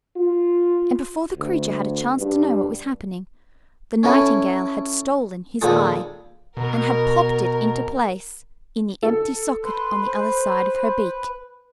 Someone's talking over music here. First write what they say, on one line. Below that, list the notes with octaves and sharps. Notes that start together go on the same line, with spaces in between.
And before the creature had a chance to know what was happening, the Nightingale had stolen his eye, and had popped it into place in the empty socket on the other side of her beak.
F4
D2
G2
C#4 E4 A4 B4
D#2 A#2 G3 G#3 A4
B2 A#4
A4
B4 C6
C5